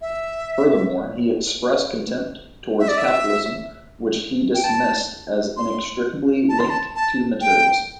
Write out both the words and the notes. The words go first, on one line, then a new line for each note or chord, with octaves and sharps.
Furthermore, he expressed contempt towards capitalism, which he dismissed as inextricably linked to materialism.
E5
E5
D5
E5
G5
A5
C6
A5
C6
A5
A5
G5